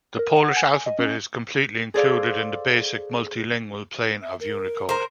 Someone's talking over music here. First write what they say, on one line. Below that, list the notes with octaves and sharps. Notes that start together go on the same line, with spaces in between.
The Polish alphabet is completely included in the Basic Multilingual Plane of Unicode.
A#4
F#5
G#5
D#5
C#4
G#4 A4 C5 D5 F5
E5
A#4
A#4 C5 A#5